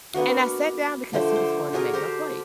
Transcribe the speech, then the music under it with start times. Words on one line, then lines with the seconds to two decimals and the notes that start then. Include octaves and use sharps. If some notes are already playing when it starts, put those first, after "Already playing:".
and I sat down because he was going to make my plate,
0.14 A#3 B3 D4 F#4
1.13 D3 F3 A3 C5
1.36 C5
1.73 D4 F#4 G#4 A#4
1.94 G4 C5 A#5